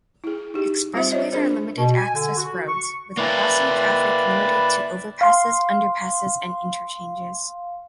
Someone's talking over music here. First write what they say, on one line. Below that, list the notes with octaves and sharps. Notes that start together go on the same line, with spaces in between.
Expressways are limited-access roads, with crossing traffic limited to overpasses, underpasses, and interchanges.
E4 G#4
D#4 G4
G3 C4 F4 C5 E5
C5 C#5 D#5
D4 G#4 A#4 C5 D5
B2
G#5
D3
F#4
C#6
A#3 E4 B4 D5
F5 C6